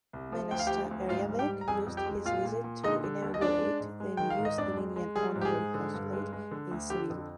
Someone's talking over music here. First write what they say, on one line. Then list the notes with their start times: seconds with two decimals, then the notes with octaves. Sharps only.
Minister Erjavec used his visit to inaugurate the new Slovenian honorary consulate in Seville.
0.13 C2
0.32 F3
0.51 D2 G5
0.59 F5
0.67 F3 G4 G5
0.91 D2
1.09 G#2 F4 F5
1.29 G3
1.39 G4 G5
1.48 G3
1.61 A#5
1.68 F2 G#4 G#5
1.87 F2
1.97 G4 G5
2.06 G#3
2.25 A#2 F4 F5
2.45 A#2
2.64 A#2
2.83 D3 D#4 D#5
3.04 D3
3.22 D#2
3.34 D#5
3.41 G#3 D4 D5
3.61 G#3
3.80 G#2
4.00 G#3
4.17 D#3 G5
4.30 F5
4.39 G#2
4.45 D#5
4.58 F2 D4 D5
4.77 G#3
4.96 G#3
5.16 G3 G#4
5.36 G#2
5.41 G4
5.45 G#4
5.54 G#2
5.74 D3
5.94 G2
6.13 G#3
6.33 G#3
6.51 D3
6.71 D2
6.90 D3 G4
7.10 F2